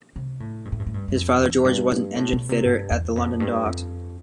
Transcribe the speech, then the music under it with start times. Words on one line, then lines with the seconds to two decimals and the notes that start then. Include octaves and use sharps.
His father George was an engine fitter at the London Docks.
0.16 C3
0.40 A2
0.65 G2
0.72 A2
0.80 G2
0.87 A2
0.94 G2
1.08 G2
1.16 F2
1.41 E2
1.65 G2
2.16 A2
2.32 B2
2.49 C3
2.65 G2
2.91 E2
3.16 F2
3.40 G2
3.66 F2